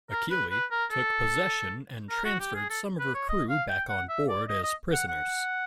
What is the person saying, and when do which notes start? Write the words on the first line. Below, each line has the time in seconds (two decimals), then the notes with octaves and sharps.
"Achille" took possession, and transferred some of her crew back on board as prisoners.
0.11 A#4
0.31 B4
0.51 B4
0.71 A#4
0.91 A4
2.10 A#4
2.25 F#4
2.40 G4
2.55 G#4
2.70 A4
2.99 B4
3.14 C#5
3.29 D#5
3.49 F5
3.69 G5
3.89 F#5
4.09 E5
4.29 D5
4.49 D#5
4.63 D#5
4.93 F#5
5.08 F#5